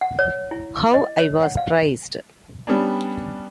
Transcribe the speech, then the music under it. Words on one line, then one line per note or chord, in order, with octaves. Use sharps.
How I was praised!
F#5
C#5
E4
D6
D#5
C#5
F#5
F5
G3 B3 C#4 D4